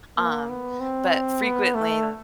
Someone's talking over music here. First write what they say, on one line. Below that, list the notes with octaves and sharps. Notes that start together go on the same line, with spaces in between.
Um, but frequently
A#3
B3
C4
B3
A3